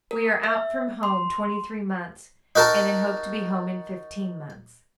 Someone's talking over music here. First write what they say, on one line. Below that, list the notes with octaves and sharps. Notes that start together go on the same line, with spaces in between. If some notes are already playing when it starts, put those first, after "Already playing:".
We are out from home twenty-three months, and in hope to be home in fifteen months.
A#4
E5
C6
D#4 F#4 A#4 A5